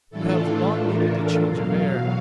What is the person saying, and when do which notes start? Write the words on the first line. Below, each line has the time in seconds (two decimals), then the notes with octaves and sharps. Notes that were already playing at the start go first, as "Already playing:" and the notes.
You have long needed a change of air.
0.10 A2 E3 A3 D4 F4 A4
0.44 A4
0.77 A#4
1.42 E2 B2 F#3 F5